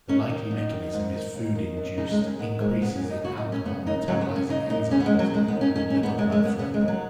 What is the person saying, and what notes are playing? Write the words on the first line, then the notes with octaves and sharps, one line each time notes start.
The likely mechanism is food-induced increases in alcohol-metabolizing enzymes and liver blood flow.
D#2 C#4
D#3 D#4
F#2
D#3
G#2
D#3
D#2
D#3
F#2
C#3 D#4
G#3
D#2
C#4
D#3 B3
G#2 G#3
C#3 B3
C#4
F#2
D#4
C#3 F#4
D#4
F#2
C#4
C#3 B3
D#2 D#4
C#3 F#3
B3
F#2
C#4
C#3 D#4
F#2 D#4
C#3 C#4
B3
G#3
D#2
F#3
D#3 G#3
B3
D#2
C#4
D#3 C#4
C#4
D#2
B3
C#3 G#3
G#3
F#2
B3
C#3 B3
G#3
D#2
F#3